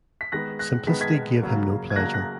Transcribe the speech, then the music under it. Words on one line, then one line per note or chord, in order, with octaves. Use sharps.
Simplicity gave him no pleasure.
B6
D#3 G#3 B3 F#6 A#6
F#6 A#6
D#3 G#3 B3 B6
G#6 B6
C#3 F#3 A#3
G#6
C#3 F#3 A#3 F#6 A#6
F#6 A#6